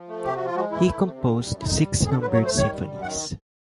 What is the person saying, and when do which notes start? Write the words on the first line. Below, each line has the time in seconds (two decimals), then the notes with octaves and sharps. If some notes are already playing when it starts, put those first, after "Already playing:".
He composed six numbered symphonies.
Already playing: F3
0.08 A3
0.24 C3 G4
0.35 F3 F#4
0.45 F4
0.56 G#3 F#4
0.71 E3 E4
0.86 A3
1.01 C3
1.17 D3
1.32 G3
1.48 F#2
1.60 E4
1.64 D3 D#4
1.79 G3
1.94 F2
2.05 G#4
2.10 D3 A4
2.22 B4
2.25 F#3
2.33 C#5
2.41 A3 C5
2.56 D#3 C#5
2.72 G3
2.87 F#2
3.02 D#3 F#5